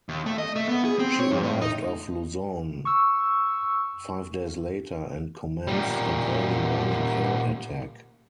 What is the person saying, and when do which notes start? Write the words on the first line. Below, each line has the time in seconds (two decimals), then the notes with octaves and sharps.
She arrived off Luzon five days later and commenced an early morning air attack.
0.09 D#2
0.26 A3
0.38 D#5
0.56 A3
0.68 B3
0.85 G#4
0.99 C4
1.19 C#5
1.31 F2
1.43 A2
1.61 D#4
2.85 C#6 E6
5.67 A#2 G3